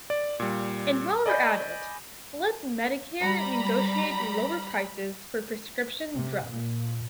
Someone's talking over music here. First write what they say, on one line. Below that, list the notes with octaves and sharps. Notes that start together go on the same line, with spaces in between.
And while we’re at it let Medicare negotiate lower prices for prescription drugs.
D5
A#2 G3
D5 D#5 G#5 B5 G6
G3 A#5 B5
C3
A#2